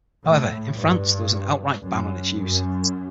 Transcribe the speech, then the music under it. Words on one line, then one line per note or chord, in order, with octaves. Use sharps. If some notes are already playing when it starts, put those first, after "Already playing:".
However, in France there was an outright ban on its use.
A2
G2
F#2
F#2